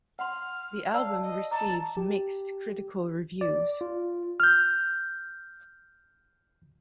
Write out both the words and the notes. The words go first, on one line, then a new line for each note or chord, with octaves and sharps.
The album received mixed critical reviews.
F#5 C6 F6
D5 F5 A5 E6
D#5
A5 A#5 D6
G4
D5
F4
F6 G6